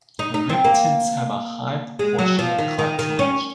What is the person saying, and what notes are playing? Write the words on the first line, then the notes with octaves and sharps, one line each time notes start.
The rib tips have a high proportion of cartilage.
D#4
D#4
C4
A#3
G#3
F#3
F3
D#3
D#3
D#3
C#4